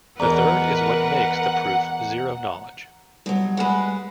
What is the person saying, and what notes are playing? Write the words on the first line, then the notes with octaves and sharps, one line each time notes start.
The third is what makes the proof zero-knowledge.
E2 B2 A#4 B4 F#5 A#5
B2 F#3 G3
G#3 B4 F#5